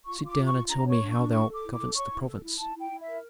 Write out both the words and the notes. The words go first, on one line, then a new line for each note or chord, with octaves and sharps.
"Sit down and tell me how thou governest the province."
F4 C#6
F4
D6
F4
C#6
F4
D4 A#5
C#5
C#6
D4
C#6
D4
A4 C#6
A4
D6
E4
D6
A4
C#5 C#6
E4
A4
E4
E4 A5
E4
G5
E4
E5
A#4